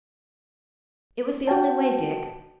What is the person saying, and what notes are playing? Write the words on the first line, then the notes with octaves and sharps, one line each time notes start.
'It was the only way, Dick.
F#4 G5 A5